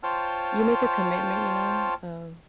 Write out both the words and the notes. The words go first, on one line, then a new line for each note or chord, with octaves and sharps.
you make a commitment, you know, uh,
F4 C5 C#5 G5 A5 F6